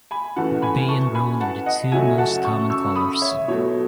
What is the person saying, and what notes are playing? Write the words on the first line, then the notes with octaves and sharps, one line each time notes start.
Bay and roan are the two most common colors.
G#5 B5
F#2 E3 A3 F#5 A5
G#5 B5
A5 C#6
G#5 B5
F#5 A5
D#5 F#5
F#2 C#3 F#3 A3 E5 G#5
F#5 A5
A5 C#6
C#6 E6
B5 D#6
C#5 E5
B2 F#3 A3 C#5